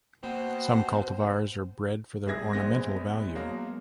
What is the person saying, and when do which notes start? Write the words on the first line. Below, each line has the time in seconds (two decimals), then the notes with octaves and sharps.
Some cultivars are bred for their ornamental value.
0.24 B2 A#3 C4 C5 F#5
2.26 G#1 G3 G#4 E5 G#6 A#6
2.53 A#1 G#3 B3 C4 A#6
3.35 B2 F#3 G#3 A#3